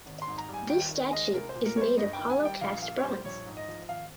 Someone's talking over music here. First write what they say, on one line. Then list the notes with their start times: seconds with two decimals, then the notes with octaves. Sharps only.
This statue is made of hollow cast bronze.
0.06 G#1
0.22 C6
0.27 G#2
0.38 A#5
0.48 G3
0.54 G#5
0.70 D#2 G5
0.91 D#3
1.12 G#3 D#5
1.33 C2 A#4
1.49 C5
1.55 A#2
1.66 A#4
1.76 G3 C#5
1.81 C5
1.97 G2 D#5
2.13 G5
2.19 D#3
2.30 G#5
2.40 G3
2.45 G5
2.61 A#1 F5
2.82 A#2 F5
2.98 C#5
3.04 G3 C5
3.25 A#1 C#5
3.46 G#2
3.57 D#5
3.68 F3
3.89 G#1 F5